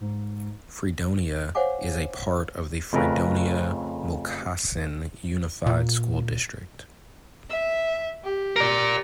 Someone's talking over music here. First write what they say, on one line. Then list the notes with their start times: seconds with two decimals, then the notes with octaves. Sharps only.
Fredonia is a part of the Fredonia-Moccasin Unified School District.
0.01 G#2
1.55 C5 C#5 F5 F#5 G#5 D6
2.93 F2 C#3 A3 A#4 B4
5.66 A#2
7.50 E5
8.23 G4
8.56 A#4 D5